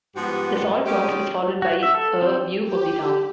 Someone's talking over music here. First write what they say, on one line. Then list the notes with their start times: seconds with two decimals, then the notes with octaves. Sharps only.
"The Salt Box" was followed by "A View of the Town".
0.16 G#2 F3 G3 B3 F#4 G4
0.86 G#3 C4 C#4 D#4 G4
1.62 F#4
1.83 E5
1.95 A4
2.22 C4
2.63 G4